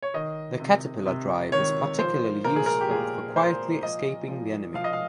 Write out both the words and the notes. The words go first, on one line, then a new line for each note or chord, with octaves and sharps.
The caterpillar drive is particularly useful for quietly escaping the enemy.
C#5
D#3 D#5
C3
C3
D#3 C#5
F3 C5
A#2 A#4
G#4
A#4
G4
A#2 G#4
A#2 C5
F3 D#5
F3
F3 F5
D#5
F5